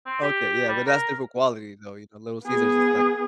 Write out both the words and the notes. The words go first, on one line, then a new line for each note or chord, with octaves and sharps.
okay. Yeah. But, that's different quality, though. You know, Little Caesar's is, like it
C4
G4
G3
A#4
B3 G#4